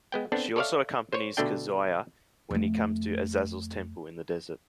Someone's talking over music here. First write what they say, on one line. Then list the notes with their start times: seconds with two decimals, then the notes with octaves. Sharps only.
She also accompanies Kazuya when he comes to Azazel's Temple in the desert.
0.12 G#3 B3 G5
0.32 B3 C4 D4 A4
0.56 A4 C#5 D5 E5 F5
1.13 C5 C#5
1.37 B2 D3 A3 D4 G5
2.51 F2 A3